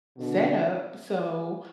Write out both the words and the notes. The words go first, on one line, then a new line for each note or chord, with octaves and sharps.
setup, so
B2 D3